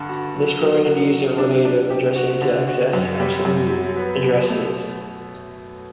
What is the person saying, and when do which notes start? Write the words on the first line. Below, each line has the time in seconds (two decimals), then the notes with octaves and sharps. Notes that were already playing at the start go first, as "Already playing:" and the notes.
This permitted use of relative addressing to access absolute addresses.
Already playing: G2 D3
0.09 F#4
0.34 F#3
0.60 F#3
0.86 D3
1.12 F#3
1.38 D4
1.65 D4
1.90 G4
2.16 F#4
2.42 D3
2.68 F#4
2.93 F#2
3.20 G3
3.45 F#2
3.71 F#3
3.96 B3
4.23 B2
4.49 A3